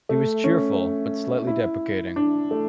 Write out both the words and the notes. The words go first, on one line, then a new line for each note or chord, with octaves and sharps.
He was cheerful, but slightly deprecating.
A3
C#4
E4
D4
A3